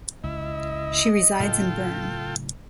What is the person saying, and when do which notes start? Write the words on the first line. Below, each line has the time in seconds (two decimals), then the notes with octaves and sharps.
She resides in Berne.
0.24 C#2 E4 D#5
1.40 A2 C#3 F#3 F4 A4 G5